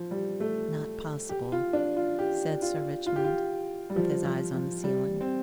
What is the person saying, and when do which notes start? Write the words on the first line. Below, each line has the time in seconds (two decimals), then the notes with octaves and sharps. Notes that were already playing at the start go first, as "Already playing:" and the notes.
"Not possible," said Sir Richmond, with his eyes on the ceiling.
Already playing: F3
0.11 G3
0.40 A3
1.29 G4
1.52 F4
1.73 D4
1.97 F4
2.19 G4
2.62 F4
3.06 F4
3.16 G4
3.24 F4
3.90 G3
3.96 F3
4.25 F3
4.54 F3
4.84 G3
5.21 C4